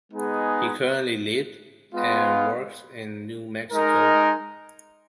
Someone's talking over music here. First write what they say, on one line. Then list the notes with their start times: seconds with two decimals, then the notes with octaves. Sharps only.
He currently lives and works in New Mexico.
0.12 G#3 B3 D#4 G#4
1.92 G#3 B3 F4
3.72 G#3 D#4 A#4